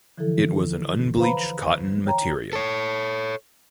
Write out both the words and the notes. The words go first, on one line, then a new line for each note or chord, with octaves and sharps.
It was an unbleached cotton material.
D3 E3 F3 E4 A4
B4 C5 F5 A#5 B5
C#5 G5 A#5
A4 C#5